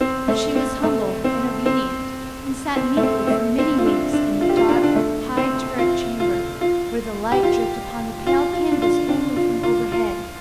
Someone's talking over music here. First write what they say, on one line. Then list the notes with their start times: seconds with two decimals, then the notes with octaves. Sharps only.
But she was humble and obedient, and sat meekly for many weeks in the dark, high turret-chamber where the light dripped upon the pale canvas only from overhead.
0.01 C4
0.28 A3
0.55 C4
0.83 A3
1.24 C4
1.66 C4
2.76 C4
2.97 A3
3.03 C4
3.27 C4
3.30 A3
3.58 C4
3.78 F4
3.86 D4
4.13 D4
4.41 F4
4.49 G4
4.57 F4
4.69 D4
4.76 F4
4.83 D4
4.96 A3
5.37 C4
5.78 F4
6.20 F4
6.61 F4
7.32 G4
7.43 F4
8.27 F4
8.53 F4
8.72 D4
8.82 F4
9.09 D4
9.36 F4
9.63 F4
9.92 F4